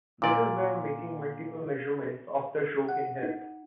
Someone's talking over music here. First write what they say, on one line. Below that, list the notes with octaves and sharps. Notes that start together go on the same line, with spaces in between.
This is where making multiple measurements of the show can help.
A#2 D5
F#5
D#4